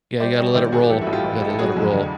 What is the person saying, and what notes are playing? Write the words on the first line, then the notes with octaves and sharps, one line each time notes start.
Yeah, you gotta let it roll. You gotta let it roll.
G3 C5 D5
G3 C#5 D#5
D#3 C5 D5
G3 F#4 G#4
E3 G4 A4
E4 F#4
A1
F4 G4
A1
A1
A4
F#3 F#4 G#4
F2
D3